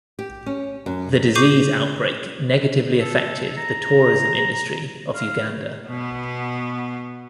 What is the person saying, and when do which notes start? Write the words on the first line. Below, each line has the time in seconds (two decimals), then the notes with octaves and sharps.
The disease outbreak negatively affected the tourism industry of Uganda.
0.19 G4
0.46 C#4
0.86 F#2
1.35 G#4 C#6 D6 G6 C7 D#7
3.01 A4
3.57 A#5
5.14 F5
5.88 B2 B3